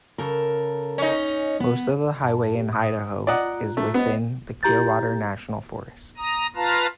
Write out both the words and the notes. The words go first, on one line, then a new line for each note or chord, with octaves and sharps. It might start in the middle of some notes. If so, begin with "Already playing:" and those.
Most of the highway in Idaho is within the Clearwater National Forest.
C#3 A4 A#4
C#4 D#4
B3
G2 A5
G4
G#2 D#6
F4 D5 D#5 F#5 A#5 F#6
A3
B3 C5 D#5
E4 G4 A#5 G6 A6
A#5 D#6
F4 B4 F5 A5 A#5